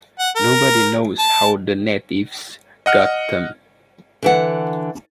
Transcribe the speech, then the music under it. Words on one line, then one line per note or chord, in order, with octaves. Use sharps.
Nobody knows how the natives got them.
F#5
A#4
A5
D#5 F#5 F6
D3 E3 F#5